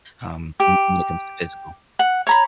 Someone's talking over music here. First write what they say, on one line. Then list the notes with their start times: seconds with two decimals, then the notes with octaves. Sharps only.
um, w when it comes to physical
0.60 G4
1.99 F#5
2.27 C#5 A#5 B5